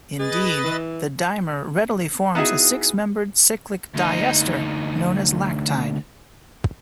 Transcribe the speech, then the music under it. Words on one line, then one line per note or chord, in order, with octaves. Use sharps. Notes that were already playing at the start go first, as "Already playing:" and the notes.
Indeed, the dimer readily forms a six-membered cyclic diester known as lactide.
G#4 B4 D#5 A6
E3
B3 D#4 E4 F#4 G#4
D2 D#4